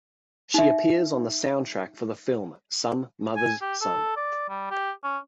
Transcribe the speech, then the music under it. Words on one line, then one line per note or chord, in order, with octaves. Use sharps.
She appears on the soundtrack for the film "Some Mother's Son".
D#4 E5
G#5
G4
A4
D5
G3
G4
C#4